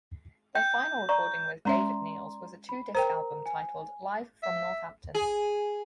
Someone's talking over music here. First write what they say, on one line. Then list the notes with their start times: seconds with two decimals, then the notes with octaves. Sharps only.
Their final recording with David Nields was a two-disc album titled "Live From Northampton".
0.55 G5 G6
1.09 D5 A#5 C#6
1.65 G#3 C#4 D5 E5 A#5 C6
2.69 B5
2.95 A#4 C5 G5 A#5
3.46 G#5
4.43 E5
5.14 G#4